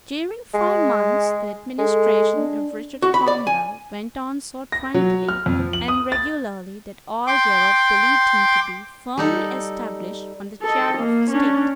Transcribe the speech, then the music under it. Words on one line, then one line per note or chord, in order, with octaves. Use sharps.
During five months, the administration of Richard Cromwell went on so tranquilly and regularly that all Europe believed him to be firmly established on the chair of state.
G#3
G#3 A4
D4
F#4
B5
D5
G#5
A#6
F#3
F6
F2
F3
F#7
D#6
A6
G5 C6 D6
G3 D#4 A4
A4 D#5
A#3
C#4 D4